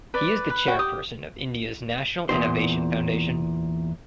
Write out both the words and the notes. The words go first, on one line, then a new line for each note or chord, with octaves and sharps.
He is the Chairperson of India's National Innovation Foundation.
B4 D5
B4
F#4 C#5 G5
G4 D#6
E2 A#2 C5